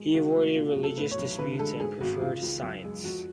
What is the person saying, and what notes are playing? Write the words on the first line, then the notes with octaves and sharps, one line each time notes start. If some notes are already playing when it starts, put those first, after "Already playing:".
He avoided religious disputes and preferred science.
Already playing: G#3
C#3 F#4
A3 F#4
B2 F4
F#4
B1
A4
A2 B4
C#5
B1
D3 B4
G#3 A4
G#2 G#4
G#1 F#4
C#3 F4
C#2
F#2
G#3
F2 F#4